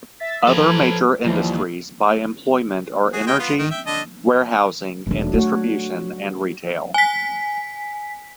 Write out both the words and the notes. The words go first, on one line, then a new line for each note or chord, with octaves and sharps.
Other major industries by employment are energy, warehousing and distribution, and retail.
E5 A6 B6
F3 A4 B4 G#6
D#2 E3 F3 G3
F#4 G#4
G#3 G5
B3 F4
D#3
E5 G5
D3 D#5 A5
E1 E3 F#3 A3 D4
A3 F#4 C#5
G#5 B6